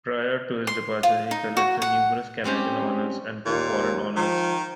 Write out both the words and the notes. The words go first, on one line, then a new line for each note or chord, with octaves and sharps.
Prior to his departure he collected numerous Canadian honours and two foreign honours.
C6
F4
D#4
F#4
F#5
G3 C4 C#4 G4
D#2 A#2
D#3 F3